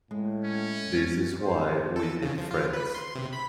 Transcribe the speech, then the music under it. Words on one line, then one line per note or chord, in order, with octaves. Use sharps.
This is why we need friends.
A2 G#3
C#4
C5
A4
C#3
F3
F4
B4
C6
C3
B5